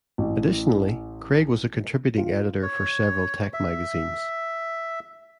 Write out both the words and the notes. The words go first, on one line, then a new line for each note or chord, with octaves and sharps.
Additionally, Craig was a contributing editor for several tech magazines.
A1
F4
C#5
E5